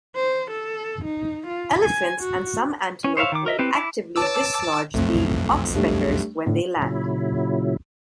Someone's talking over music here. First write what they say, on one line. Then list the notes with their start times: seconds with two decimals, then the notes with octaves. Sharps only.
Elephants and some antelope will actively dislodge the oxpeckers when they land.
0.16 C5
0.50 A4
1.04 D#4
1.47 F4
1.82 G#5
2.20 F#4
3.04 C#4
3.17 C5 C#5 E5 F5
3.32 D#3 D6
3.46 A#4 D#5 E5
3.59 C4 E4 G4 B4
3.75 E4 D6
4.16 B4 C#5 A5 D6 E6
4.94 B1 F2 A3 C4
5.76 G3 A3 D4
6.46 A2 D3
6.82 A#2 C#3 F#3 E4